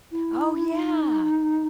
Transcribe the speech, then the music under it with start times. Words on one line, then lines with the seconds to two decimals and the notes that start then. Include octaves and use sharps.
Oh yeah,
0.12 E4
0.73 D#4